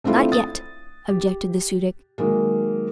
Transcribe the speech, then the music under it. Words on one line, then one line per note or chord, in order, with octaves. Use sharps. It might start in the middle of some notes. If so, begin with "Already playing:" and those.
"Not yet," objected the Su-dic.
A3 C4 D4 E4 F4 A4
D#6 A6
G4
D#3 F#3 G#3 A#3